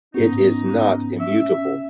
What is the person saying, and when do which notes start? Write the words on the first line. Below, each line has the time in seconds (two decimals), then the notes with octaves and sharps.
It is not immutable.
0.14 G#2 B3 C#4 D#4
1.20 C#4 E5